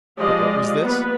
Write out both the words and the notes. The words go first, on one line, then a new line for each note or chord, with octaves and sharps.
But what was this?
F3 G#3 G4 D5 D#5 F5
A#3 B3 B4